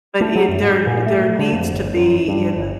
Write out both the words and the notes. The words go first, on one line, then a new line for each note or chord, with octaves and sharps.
But i there there needs to be in the
A3
F#3
F#2
G#2
A#2
A3
D3
F2
G1
F#2
G2
G1